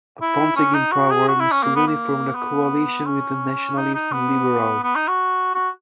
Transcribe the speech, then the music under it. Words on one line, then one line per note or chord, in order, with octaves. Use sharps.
Upon taking power, Mussolini formed a coalition with nationalists and liberals.
E4
C#4
D#4
F#4
G#4
F#4
E4
C#4
A#3
B3
A#3
B3
C#4
D#4
D#4
B3
B3
D#4
F#4
F#4